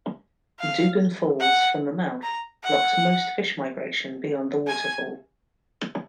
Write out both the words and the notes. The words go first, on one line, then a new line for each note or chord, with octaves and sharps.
Dougan Falls, from the mouth, blocks most fish migration beyond the waterfall.
F5
F#5
A#5
F#5
G#5